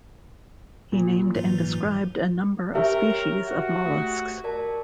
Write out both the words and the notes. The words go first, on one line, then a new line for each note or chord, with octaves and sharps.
He named and described a number of species of molluscs.
A#2
G#2 E3 F#3
G4 A#4 C5 C#5 E5 C#6
F#4
A3
A#4 D5 A5